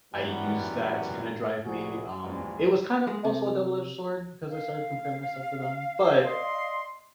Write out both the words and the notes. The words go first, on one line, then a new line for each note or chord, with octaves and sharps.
I used that to kinda drive me, um, it was kind of, also a double-edged sword, because I started to compare myself to them. But,
F#2 E3 G3 G#3 B3
C2 F3 F#4 G#4
A#1 E2 G2 G#3
G#3
C3
F5
D5 D#5 C6